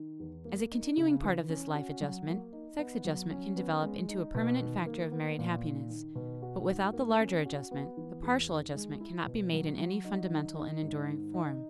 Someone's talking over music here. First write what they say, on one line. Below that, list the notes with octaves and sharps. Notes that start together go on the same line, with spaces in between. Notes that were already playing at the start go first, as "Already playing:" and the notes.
As a continuing part of this life adjustment, sex adjustment can develop into a permanent factor of married happiness; but without the larger adjustment, the partial adjustment cannot be made in any fundamental and enduring form.
Already playing: D#3
E2
A#3
D#4
C#3
E3
C#4
F#4
F#3
A#3
D#4
B3
F#3
C#4
B3
G#3
D#4
B2
D#3
A#3
B3
A#2
D#3
D#3
B2
F#4
G#2
A#3
C#4
F#4
B3
E3
E2
D#3
G#3
E4
B2
F#3
F#3
D#4
D#3
D#4
G#2
D#3
D#4